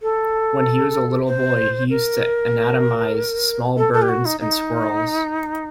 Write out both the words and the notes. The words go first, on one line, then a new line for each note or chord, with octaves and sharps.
When he was a little boy he used to anatomize small birds and squirrels.
A4
C5
A#4
A4
A4
G4
F#4
D#4
D#4